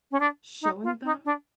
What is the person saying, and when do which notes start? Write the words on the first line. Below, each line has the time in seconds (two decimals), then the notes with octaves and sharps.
showing them.
0.11 C#4
0.20 D4
0.62 D#4
0.83 F4
1.04 D#4
1.25 D4